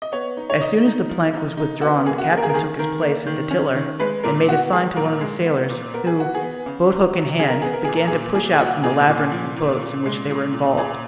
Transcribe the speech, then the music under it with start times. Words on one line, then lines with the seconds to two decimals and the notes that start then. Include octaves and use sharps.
As soon as the plank was withdrawn the captain took his place at the tiller and made a sign to one of the sailors, who, boat-hook in hand, began to push out from the labyrinth of boats in which they were involved.
0.02 D#5
0.12 B3 C#5
0.37 D#4
0.50 C#5
0.60 D#4 D#5
0.86 D#4
1.09 F3
1.33 D#4
1.57 D#4
1.82 B3 F#4
2.06 A#3 G#4
2.18 F#4
2.30 A#3 G#4
2.38 A#4
2.43 G#4
2.49 A#4
2.54 D#3 G#4
2.79 D#3 A#4
3.02 A#3
3.26 D#3
3.51 C#4
3.75 D#3
4.00 G#3 B4
4.24 A#2 A#4
4.48 B3 F#4
4.73 G#3 G#4
4.96 A#2 A#4
5.21 G#3
5.46 B3
5.69 A#2
5.94 B3 A#4
6.07 G#4
6.17 B3 F#4
6.34 G#4
6.41 B3
6.66 C#3
6.91 F#3
7.15 F#3
7.39 C#3 G#4
7.50 A#4
7.62 B3 G#4
7.73 A#4
7.84 A#2 G#4
7.96 A#4
8.07 G#4
8.11 A#2
8.35 A#2 G#4
8.53 G#4
8.59 A#2 F#4
8.83 A#2 G#4
9.08 A#2
9.32 F3
9.56 A#2
9.81 A#2
10.06 G#3
10.30 A#2
10.53 A#2
10.77 A#2 G#4